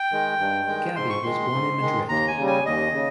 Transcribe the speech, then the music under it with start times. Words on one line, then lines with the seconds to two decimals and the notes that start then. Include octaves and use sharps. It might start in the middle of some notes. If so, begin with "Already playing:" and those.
Gabi was born in Madrid.
Already playing: G5
0.12 D#3 G#3
0.39 G2
0.67 D#3 G#3
0.96 G#2 C6
1.10 C#6
1.23 D#3 G#3 C6
1.52 G#2
1.80 D#3 G#3
2.09 D#2 A#5
2.28 G#5
2.37 C#3 G3
2.47 G#5
2.66 D#2 D#5
2.93 C#3